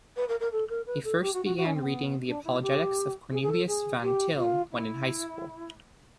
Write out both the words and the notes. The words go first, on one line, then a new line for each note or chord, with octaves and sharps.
He first began reading the apologetics of Cornelius Van Til when in high school.
B4
A#4
A#4
A4
A#4
B4
A4
G4
F#4
F#4
F#4
C#4
C4
B3
D4
E4
G4
G#4
G#4
A4
G#4
G4
F4
E4